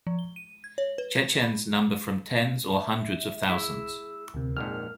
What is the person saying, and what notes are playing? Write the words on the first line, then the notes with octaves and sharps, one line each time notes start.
Chechens number from tens or hundreds of thousands.
F3
G7
D#7
G#6
C#5
B4
G#6
B5
E5
E4 G#4 E6
D2 C3 A#4
A#1 F2 G#2 F6